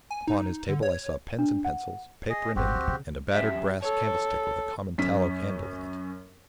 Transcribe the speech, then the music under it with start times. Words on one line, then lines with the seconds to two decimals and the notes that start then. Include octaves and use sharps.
Upon his table I saw pens and pencils, paper and ink, and a battered brass candlestick with a common tallow candle in it.
0.11 G#5
0.27 D#4
0.69 D3
0.83 C#5
1.39 D4
1.65 F#5
2.29 G#4 D#5
2.56 G#1 G#2 C4 F#4 G4
2.75 D2
2.87 C#3
3.34 F#2 G4 E5
3.82 A4 C#5
4.98 F#2 C#4 B6